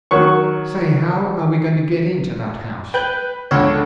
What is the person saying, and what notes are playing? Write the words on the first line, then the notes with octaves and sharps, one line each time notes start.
"Say! how are we going to get into that house?"
D#3 F#3 C#6
B4 G5 F#6 G6
C#2 D3 A4 C#5